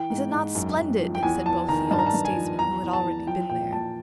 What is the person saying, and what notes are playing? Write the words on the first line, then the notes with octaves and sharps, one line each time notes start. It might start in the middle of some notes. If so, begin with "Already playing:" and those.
'Is it not splendid!' said both the old statesmen who had already been there.
Already playing: E3 G5
G#2
G#2
F#2
F#2
F3
G5
E2 G#5
E2 A5
D#3 A#5
G2 A5
A#5
A5
G2
G#5
F3
E2 A#5
E2
A5
E3
F3 G5
A#2 G5
A#2 A5